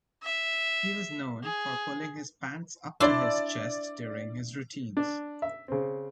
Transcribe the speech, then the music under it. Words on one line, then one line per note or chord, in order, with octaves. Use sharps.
He was known for pulling his pants up to his chest during his routines.
E5
G#4
D4 E4 D5 C6 E6
D4
E5
C#3 C4